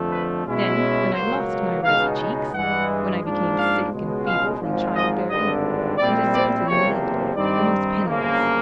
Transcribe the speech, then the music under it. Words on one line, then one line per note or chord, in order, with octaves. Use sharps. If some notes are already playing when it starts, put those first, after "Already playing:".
Then, when I lost my rosy cheeks--when I became sick and feeble from child-bearing--he deserted and left me almost penniless.
Already playing: F2 D3 F3 A3
B4
B2 G#3 C#4 E4
C#2 B2 F#3 A#3 C5
C#2 B2 G#3 B3 D#4 F5
G2 E3 G#3 F#5
G#2 F3 A#3 D4
F5
C#2 B2 G#3
F5
G#1 G#2 F3
D#5
G#1 G2 D3 D#5
A#1 A#2 G3 C4 E4 D5
D5
F#1 E2 C3 F3 A#3 C#5
G2 D#3 G3 C4 D#4 D5
G1 F#2 C#3 F3 A#3